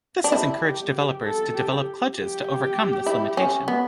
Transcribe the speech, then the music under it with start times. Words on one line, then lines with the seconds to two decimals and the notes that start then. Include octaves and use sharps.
This has encouraged developers to develop kludges to overcome this limitation.
0.24 D4
0.32 E4 G4
0.64 G4
0.94 G4
1.24 A4
1.55 G4
2.16 G4
3.06 E4
3.37 C#4
3.68 B3